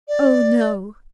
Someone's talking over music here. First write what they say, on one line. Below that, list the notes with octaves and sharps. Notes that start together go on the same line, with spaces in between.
"Oh, no!"
D5